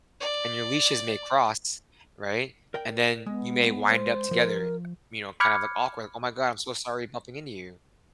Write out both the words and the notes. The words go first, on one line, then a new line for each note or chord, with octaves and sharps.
and your leashes may cross, right? And then you may wind up together, you know, kind of, like, awkward, "Oh my god. I'm so sorry bumping into you."
D5
A#4 D5 G5
G#3 B3
C5
F3 A#4
B5 D6 F6 F#6 G#6 C#7